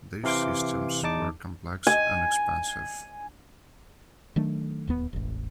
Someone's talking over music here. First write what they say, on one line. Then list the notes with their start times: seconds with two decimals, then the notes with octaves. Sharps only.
These systems were complex and expensive.
0.24 C3 E3 F5 C6 D6
1.03 E2 D#4 A5 D6
1.87 G#5
4.36 D#3 F#3 A3 D4
4.87 D1 D#2 B3
5.13 E1 A1